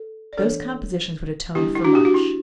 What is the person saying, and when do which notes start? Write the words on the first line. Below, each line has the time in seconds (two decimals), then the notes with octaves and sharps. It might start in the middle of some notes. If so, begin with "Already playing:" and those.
Those compositions would atone for much.
Already playing: A4
0.33 D5
0.37 E3 B3 D4 A4 C#5
1.54 D3 G3 B3 D4 E4 G4
1.75 E4
1.84 D4 F#4
1.95 G4
2.05 F#4
2.14 E4